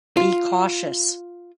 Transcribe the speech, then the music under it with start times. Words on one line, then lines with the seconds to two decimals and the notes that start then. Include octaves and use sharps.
Be cautious.
0.17 F4